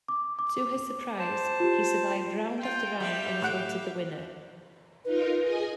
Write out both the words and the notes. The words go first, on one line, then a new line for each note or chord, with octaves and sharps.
To his surprise, he survived round after round and was voted the winner.
D6
D6
C5 A5
F4 G4
F4 G5
G3 E5 F5
A2 F#5 D7
D#4 F4 A#4 B4
G#4 D#5 G#5